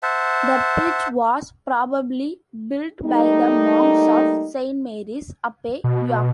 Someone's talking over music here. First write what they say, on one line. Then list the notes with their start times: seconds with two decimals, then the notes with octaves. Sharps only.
The bridge was probably built by the monks of Saint Mary's Abbey, York.
0.03 C5 E5 F#5 A5
3.05 G3 A3 A#3 D#4
5.84 B2